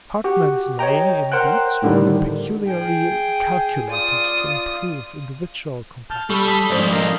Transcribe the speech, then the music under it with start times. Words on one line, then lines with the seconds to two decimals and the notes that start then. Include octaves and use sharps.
Apartments may, indeed, be peculiarly calculated to improve individual complexions.
0.24 F#4 G4
0.79 C#5 D#5 G5 A#5
1.32 A#4 C5 F#5 G5 F#6
1.82 A2 D3 D#3 G3
2.67 G#4 G5
3.90 F4 D5 D#6
6.10 A5 F6 G6
6.30 G3 A4 B5 C#6
6.48 A5 D#6 B6
6.70 F2 G#2 C5 D5
6.92 A#4 D#5 F5 A#6